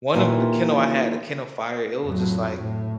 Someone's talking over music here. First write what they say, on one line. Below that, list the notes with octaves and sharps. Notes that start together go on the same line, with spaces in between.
one of the Kindle I had- the Kindle Fire- it was just like
D#2 A#2 E3 F4
F2 A2 F#3
A2